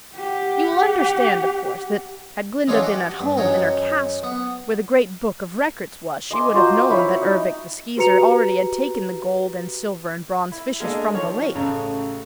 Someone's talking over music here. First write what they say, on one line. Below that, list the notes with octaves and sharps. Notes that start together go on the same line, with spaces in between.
You will understand, of course, that had Glinda been at home in her castle, where the Great Book of Records was, she would have known that Ervic the Skeezer already had taken the gold and silver and bronze fishes from the lake.
G4 F#5
E3 G#3 C#4 D4 F4 F#4
F#4 G4
G2
F#2 D#3 C#4 F#4
B3
D#5 G#5 C6 D6
F4 F#4 C5 A#5
F5
E4 C#5 B5
F#4
D#4
F#4 G4 B4 A#5 C#7 F7
E4
G#3 A#3 D4 G#4 A4 D#5
D#3 F3 C#5
A1 C#3 A3 C#5 A#5